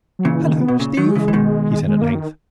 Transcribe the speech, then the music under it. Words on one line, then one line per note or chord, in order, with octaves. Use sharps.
"Hello, Steve," he said at length.
F#3
A#2 C#3 E3
D#3
B3
B2
A#2 C#3
D#3 F#3
G#3
C#3 E3
E3
B2 D#3
G#3
A#3
D#3